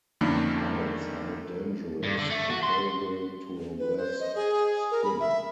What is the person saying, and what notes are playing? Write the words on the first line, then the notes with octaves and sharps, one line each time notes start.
Bites are not dangerous; comparable to a wasp sting.
F2 D3 D#3 A3 A#3 C#4
G2
D3
A3
F#4
C6
B4
C5
D#5
G#4
A#4
B5
E5